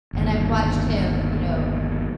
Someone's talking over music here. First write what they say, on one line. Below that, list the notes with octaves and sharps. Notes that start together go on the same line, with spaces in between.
and I've watched him, you know,
G1 D#2